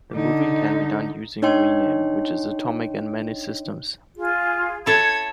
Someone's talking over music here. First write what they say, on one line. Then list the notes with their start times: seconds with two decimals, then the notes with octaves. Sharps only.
The moving can be done using rename, which is atomic in many systems.
0.13 D3 D#4
1.42 D4 D#4 C#5 D#5 G5 C6
4.16 F4 G#4
4.86 E4 A4 C#5 G#6